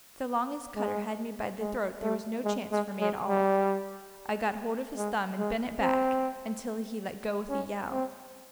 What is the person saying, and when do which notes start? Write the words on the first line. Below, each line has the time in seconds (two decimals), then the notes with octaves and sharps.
So long as Cutter had me by the throat, there was no chance for me at all. I got hold of his thumb and bent it back, until he let go with a yell.
0.76 G#3
1.60 G#3
2.02 A3
2.44 G#3
2.72 G#3
3.00 G#3
3.28 G3
4.97 G#3
5.39 G#3
5.81 C4
7.49 C#4
7.91 C4